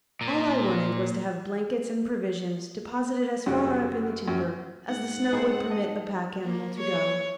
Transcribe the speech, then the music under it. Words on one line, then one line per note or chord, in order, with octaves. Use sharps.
All I wanted was to have blankets and provisions deposited as far up in the timber as the snow would permit a pack animal to go.
A#2
F#2 C#3 G3 F#5
F#2
G#2 F#5
C4 D#4 G#4 C5
D#5 A5
A#3
C#5